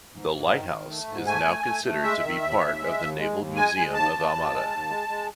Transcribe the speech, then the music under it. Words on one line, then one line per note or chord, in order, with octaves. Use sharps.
The lighthouse is now considered to be part of the Naval Museum of Almada.
G#2
G#2
D#3
D#3
A3
G#2
A3 G#5
A3
A3
A3
G#3 E5
D#3
D#2
D#2
G#3
D#2
G#3
D#2
G#3 G#5
G#3
D#2 A5
D#2
D#2
G#3
D#2
G#3
G#3